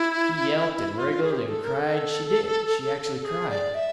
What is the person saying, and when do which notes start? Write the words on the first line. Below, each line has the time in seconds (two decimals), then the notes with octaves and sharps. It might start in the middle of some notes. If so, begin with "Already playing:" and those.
She yelped and wriggled and cried--she did--she actually cried.
Already playing: E4
0.98 F4
1.23 G#4
1.31 G4
1.38 G#4
1.48 A4
1.64 A#4
1.74 A4
3.24 G#4
3.50 D5
3.75 E5